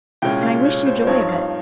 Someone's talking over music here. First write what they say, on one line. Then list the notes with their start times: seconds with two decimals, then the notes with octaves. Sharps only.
And I wish you joy of it!
0.22 C2 A#2 G#3 C#4 G5
0.43 F5
0.65 C#5
0.86 C5
1.02 C5
1.07 G2 F3 C4 D#4 C#5
1.29 F5